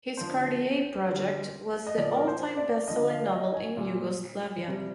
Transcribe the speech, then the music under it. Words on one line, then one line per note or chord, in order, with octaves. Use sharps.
His "Cartier Project" was the all-time best-selling novel in Yugoslavia.
D3 F3 C5
D3 G3
D#5
A#2 F3 D5
A#4
C5
D5
D3 F3 D#5
F5
D5
D#5
G#5
A#2 G3
C3 G3